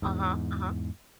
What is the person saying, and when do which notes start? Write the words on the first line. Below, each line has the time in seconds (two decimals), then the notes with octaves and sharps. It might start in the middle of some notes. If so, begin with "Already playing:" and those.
Uh-huh. Uh-huh.
0.02 E2 G#2